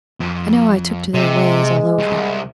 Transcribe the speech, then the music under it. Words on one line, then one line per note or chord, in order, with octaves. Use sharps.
I know I took to their ways all over.'
F2
C3 G#3
C2